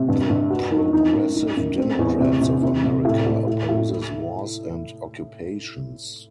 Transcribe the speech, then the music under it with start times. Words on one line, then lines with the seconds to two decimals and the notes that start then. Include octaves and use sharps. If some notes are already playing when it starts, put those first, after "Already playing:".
The Progressive Democrats of America opposes wars and occupations.
Already playing: C3
0.08 G2
0.30 G2
0.50 F#4
0.72 D#3
0.93 D#4
1.14 F#2
1.36 D#4
1.57 F#2
1.78 C4
1.99 E2
2.20 C3
2.41 C3
2.63 C3
2.84 C3
3.05 A2
3.27 A2
3.47 A2
3.69 A2
3.90 E4